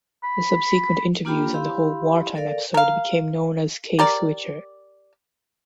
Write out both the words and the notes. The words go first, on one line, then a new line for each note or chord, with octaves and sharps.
The subsequent interviews and the whole wartime episode became known as "Case Wicher".
B5
A#3 D4 F4 G4 G5 B5
E4 G4 F5 B5 C6
A4 A#4 D5 F5
A#4 F5
G4 A#4 D5